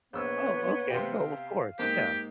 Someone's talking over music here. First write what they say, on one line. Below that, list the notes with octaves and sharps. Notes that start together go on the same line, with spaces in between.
Oh, okay. Well, of course, yeah.
A#1 B3 C#5 E6
C3 G4 F5
G#2 G#3 A#3 G4